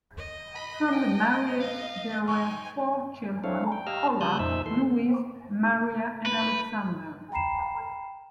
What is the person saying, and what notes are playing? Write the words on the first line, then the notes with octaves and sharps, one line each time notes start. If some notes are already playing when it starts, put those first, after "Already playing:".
From the marriage there were four children, Olaf, Luise, Maria and Alexander.
D#5
B5
G5
F5
D#4 G5 G#5 C#6
C4 D4 E4 A4 C#5 F5
G5
G4 D#5 F5 A#5 E6 F6
C#3 G3 A5 D#6 F#6 G6
F2 A#2 D#4 C5 E5 E6
E3 A4 C6
B4
G5 A#5 B5 C7 E7